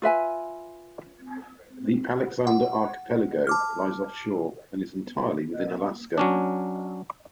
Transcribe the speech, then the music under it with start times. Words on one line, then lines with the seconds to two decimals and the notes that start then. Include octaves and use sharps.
The Alexander Archipelago lies offshore and is entirely within Alaska.
0.02 F4 B4 E5 G#5
2.47 F#5
3.47 A5 D6 F6
6.18 F#3 C#4 D4